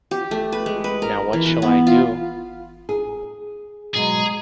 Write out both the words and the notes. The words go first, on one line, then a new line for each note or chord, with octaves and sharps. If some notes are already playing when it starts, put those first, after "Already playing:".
Now what shall I do?
G4
A3
B4
G#3
B4
A#4
E3
B4
B3
F4
G#4
B2 F#3 G#3 G#4